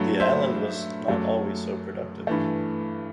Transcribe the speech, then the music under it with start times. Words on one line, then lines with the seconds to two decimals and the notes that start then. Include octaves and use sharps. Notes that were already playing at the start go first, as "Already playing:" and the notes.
The island was not always so productive.
Already playing: G2 F#3 A3
0.20 C5 E5
1.08 F#2 F#3 A3
2.27 G2 E3 A3